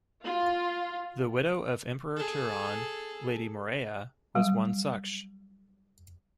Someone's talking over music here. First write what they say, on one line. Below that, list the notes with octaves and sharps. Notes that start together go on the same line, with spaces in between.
The widow of Emperor Turhan, Lady Morella, was one such.
F4
G#4 A4
F#3 G3